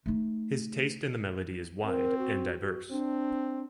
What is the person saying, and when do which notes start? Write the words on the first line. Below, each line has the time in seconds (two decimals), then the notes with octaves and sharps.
His taste in the melody is wide and diverse.
0.06 A3 D#4
1.85 C4 A#4
2.18 F#4
2.60 F#4
2.91 C4 D4